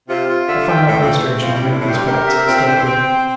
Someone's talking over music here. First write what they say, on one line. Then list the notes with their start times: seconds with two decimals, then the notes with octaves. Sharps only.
A final illustration will make these facts still clearer.
0.09 C3 F4
0.29 F4
0.48 D3 E5
0.61 D3
0.69 G5
0.88 A2 A4
1.01 A#2
1.08 A3
1.14 E3
1.28 C4
1.42 F3
1.48 E4
1.55 G3
1.67 A2 D4
1.81 A2
1.87 G4
1.93 G2
2.07 A2 A#4
2.17 C3
2.27 D3 E5
2.36 C3
2.46 A#2 C4
2.56 C3
2.66 D3 C5
2.76 E3
2.86 C4 G5
3.06 C5